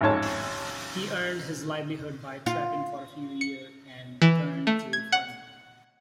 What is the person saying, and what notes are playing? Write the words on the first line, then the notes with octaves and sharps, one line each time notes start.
He earned his livelihood by trapping for a few years, then turned to farming.
A1 F2 G#2 C#5 A5
F4
C#7
E3
A3
G#6
F#5